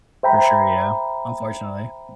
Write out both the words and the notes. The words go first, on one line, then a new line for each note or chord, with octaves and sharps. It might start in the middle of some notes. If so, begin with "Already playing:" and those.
For sure, yeah, unfortunately.
C5 E5 G5 A#5 B5